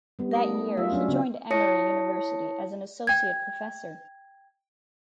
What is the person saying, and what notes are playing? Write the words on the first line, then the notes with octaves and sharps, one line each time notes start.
That year he joined Emory University as an Associate Professor.
G3 B3
A3 D#4 A#4
F#3 F4 E5
F#3 C#4 D4
C#3 B3
E4 C#5 A5 D#6 A#6 C#7
G5 G#6